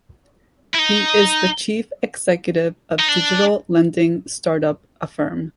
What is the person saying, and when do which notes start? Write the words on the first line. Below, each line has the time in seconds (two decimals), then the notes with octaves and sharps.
He is the Chief Executive of digital lending start-up Affirm.
0.74 E4
0.78 D#4
2.99 D#4
3.08 D4